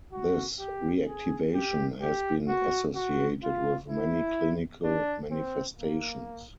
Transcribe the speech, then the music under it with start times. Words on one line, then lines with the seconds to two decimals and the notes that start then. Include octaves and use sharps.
This reactivation has been associated with many clinical manifestations.
0.12 F#4
0.59 G4
1.07 G#4
1.54 G4
2.01 G4
2.48 F#4
2.95 F#4
3.43 F4
3.89 E4
4.84 D4
5.31 C4
5.79 A#3